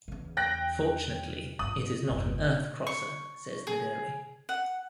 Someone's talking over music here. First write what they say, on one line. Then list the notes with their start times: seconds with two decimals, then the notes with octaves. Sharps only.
"Fortunately, it is not an Earth crosser," says Naderi.
0.08 E2 C#3
0.37 G5 F#6 A#6
1.59 F2 G#2 D#6 F#7
2.10 G1 E2
2.87 C#6
3.67 G#4
4.49 F#5